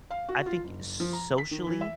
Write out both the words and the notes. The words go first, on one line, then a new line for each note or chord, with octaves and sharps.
I think socially,
F5
F#4
F4
F#1
F3
A#5
B6
D#3
E3
E5